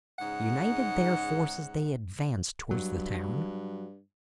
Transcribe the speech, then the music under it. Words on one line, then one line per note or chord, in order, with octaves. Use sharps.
Uniting their forces they advanced towards the town.
G#2 C#3 D#4 F#5
G2 F#3